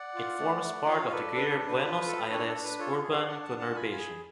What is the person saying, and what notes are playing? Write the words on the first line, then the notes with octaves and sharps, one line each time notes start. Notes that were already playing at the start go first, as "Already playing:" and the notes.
It forms part of the Greater Buenos Aires urban conurbation.
Already playing: D5 F#5
F4
A3
A3
F4 C#5 F5
A4 B4 D5
D4 B4
A4
D4
B4
F4
A4
D4 A4 C#5
A4
D4
B4
F4 A4 C#5
G#4
C#5 F5
D4 D5 F#5
F#5 A5
D4
F#5 A5
F4 G#5 B5
G#5 B5
G#4